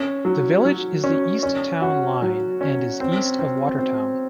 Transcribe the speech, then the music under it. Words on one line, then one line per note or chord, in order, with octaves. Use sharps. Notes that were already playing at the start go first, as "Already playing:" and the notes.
The village is the east town line, and is east of Watertown.
Already playing: C#4
F#3
F#3
C#4
C#4
F#4
F#3
C#4
C4
C4
C4